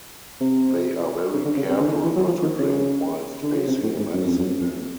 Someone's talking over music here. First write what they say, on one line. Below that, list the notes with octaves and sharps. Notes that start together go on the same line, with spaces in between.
They are very careful not to drink whilst facing a medicine man.
C3
C#3
D3
C#3
C3
D3
D#3
D3
E3
F#3
F3
D#3
C#3
D3
C#3
C3
A2
G#2
F#2
F2
F#2
F2